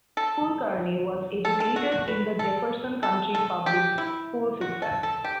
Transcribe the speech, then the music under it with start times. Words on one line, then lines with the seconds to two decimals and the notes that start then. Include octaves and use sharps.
Kulkarni was educated in the Jefferson County Public School system.
0.17 A4
1.45 A4
1.60 A4
1.76 F#4
1.92 F#4
2.08 B4
2.39 A4
3.03 A4
3.34 A4
3.66 G4
3.98 E4
4.61 F#4
4.82 A4
5.03 A4
5.24 G4